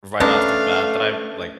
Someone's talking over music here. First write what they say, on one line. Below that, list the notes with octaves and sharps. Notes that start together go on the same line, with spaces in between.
right off the bat that I've, like,
D#3 G#3 A3 C#4 D4 B4 F5